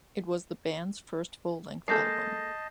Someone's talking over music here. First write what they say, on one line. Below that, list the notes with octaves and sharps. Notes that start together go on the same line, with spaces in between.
It was the band's first full-length album.
G#3 A#3 A4 D#5 A5 G6 A#6 C7